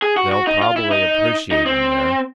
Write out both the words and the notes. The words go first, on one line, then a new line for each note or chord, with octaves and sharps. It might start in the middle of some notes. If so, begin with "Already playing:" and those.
They'll probably appreciate him there.
G#4
F#4
F#4
D#4
F4
E4
D#4
D#4
C4